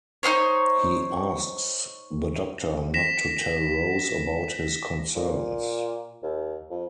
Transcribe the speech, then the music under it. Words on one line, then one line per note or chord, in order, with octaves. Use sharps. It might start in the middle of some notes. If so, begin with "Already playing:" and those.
He asks the Doctor not to tell Rose about his concerns.
D#4 E4 C5 C#5
A#6 B6 E7
A#2
D#2
F2